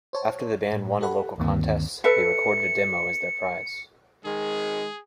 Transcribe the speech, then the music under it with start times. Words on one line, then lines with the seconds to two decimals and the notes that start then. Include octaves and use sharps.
After the band won a local contest, they recorded a demo as their prize.
0.13 C5 C#5 A5
0.73 A2
1.01 G4 A4 F#5 B5
1.38 D2 G2 D#3 A#3 C4
2.04 A4 B4 E5 C#7
4.25 D#3 G#3 G#4